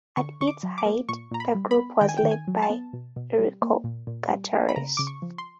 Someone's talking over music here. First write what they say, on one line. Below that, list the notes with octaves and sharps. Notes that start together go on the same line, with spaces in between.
At its height, the group was led by Eurico Guterres.
D3 C#6
D3 C#6
D6
F#3
D6
A#3
A#2 C#6
A#2 A#5
B5
G3
B5
B3
D#3 G5
G#5
G5
D#3
G#5
F#3
A5
B3
B2
B2
G3
A#3
A#2
A#2
G3
A#3
B5
C#3 A#5
C#3 D6
C#6
F3
C6